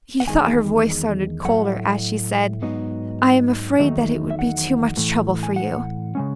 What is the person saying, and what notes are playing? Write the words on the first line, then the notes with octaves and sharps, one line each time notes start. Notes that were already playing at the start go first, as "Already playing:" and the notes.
He thought her voice sounded colder as she said: "I am afraid that it would be too much trouble for you."
F#5
E2 D#3 G#3 G#5
A2 F#3 A3 F#5
G#2 F#3 B3 D#4
E2 D#3 F#3 A3 D#4
E5
F#5
A2 E3 A3
G#5
F#5
C#3 G#3 C#4